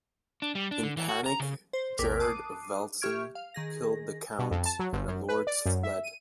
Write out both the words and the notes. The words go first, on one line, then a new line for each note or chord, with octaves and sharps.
In panic Gerard of Velzen killed the count, and the lords fled.
D4
G3
D4
D3
E3
F#4
A#5
C#3
C5
A#1 E2 C3 A#4 D6 B6
A5 D6 D#6 F#6 C7 D#7
G4 E5 C#6 F6 G#6 D7
F5
D#3 G#4 A#6
B2
F2
A5
F#3
G1
F#2
B4
D5
F#2
E5
D#7